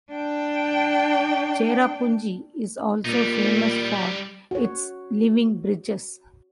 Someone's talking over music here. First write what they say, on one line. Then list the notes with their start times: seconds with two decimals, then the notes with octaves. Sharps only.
Cherrapunji is also famous for its living bridges.
0.12 D4 G5
3.05 A#2 G3 D#4
4.51 F#4 C#5